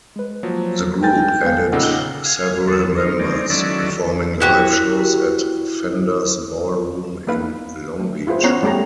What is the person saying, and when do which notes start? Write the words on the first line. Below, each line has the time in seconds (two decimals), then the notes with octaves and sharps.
The group added several members, performing live shows at Fenders Ballroom in Long Beach.
0.16 G#3 B4
0.43 F3 F#3 A#3
1.03 A#4 G5 G#5 A6
1.43 G#3 B3 F5
1.73 A#2 C#3 D#4 F#5 E6
2.26 F5 G#5
2.68 E2 F#3 A4
2.97 D#4 F4
3.19 G#3 C4 D#4 D5
3.50 D#3 F#3 C#4 E4 A4 D5
4.40 E4 F#4 G4
7.27 A#3 D#4 B4 F5
8.00 A3
8.27 E4 F4 G#4 B4 C5
8.44 B3 C#4 C#5 A#5
8.63 G3 A3 G4 A4 A#5